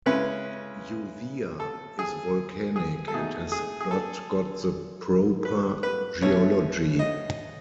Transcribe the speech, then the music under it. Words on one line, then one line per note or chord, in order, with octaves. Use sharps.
Uvea is volcanic and has not got the proper geology.
C#3 G#3 C#4 E4 B4
A4
G#4
G#4
A4
B2 A3 D#4 G#4
G#4
G#4
A4
B4
B4
B2 A3 C#4 E4 C#5
D#5